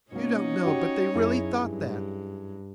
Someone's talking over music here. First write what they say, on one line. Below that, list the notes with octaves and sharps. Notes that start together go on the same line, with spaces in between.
You don't know, but they really thought that.
B2 A#3 C#4 D#4 C#5
F#4 G4
F#2 E4 G#4
G2